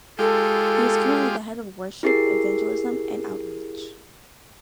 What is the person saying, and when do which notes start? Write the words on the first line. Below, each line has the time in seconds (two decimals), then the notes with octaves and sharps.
He is currently the head of Worship, Evangelism and Outreach.
0.19 G#3 F4 G4 A4
2.03 E4 G4 G#4 A#4 C7